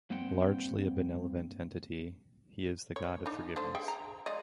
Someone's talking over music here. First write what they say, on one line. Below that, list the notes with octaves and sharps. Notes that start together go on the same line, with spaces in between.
Largely a benevolent entity, he is the god of forgiveness.
G2 A#3 C4 F#5 G5
C#5
D4 D#4
A3 D4 C5
G#4 E5 G5
A#5
G#3 D5 D#5